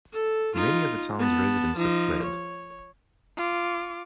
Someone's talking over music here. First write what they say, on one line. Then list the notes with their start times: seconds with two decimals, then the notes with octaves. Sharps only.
Many of the town's residents have fled.
0.12 A4
0.55 D#4 F4
1.19 B3 A5
1.77 F3 D#4
2.23 C#5
3.37 F4 D6